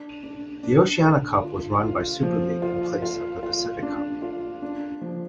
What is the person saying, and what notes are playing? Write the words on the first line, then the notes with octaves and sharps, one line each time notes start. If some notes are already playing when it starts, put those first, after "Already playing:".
The Oceania Cup was run by Super League in place of the Pacific Cup.
Already playing: D4
D4
D4
D3
F4
F4
F3
F4
F4
F4
D4
F4
D4
F3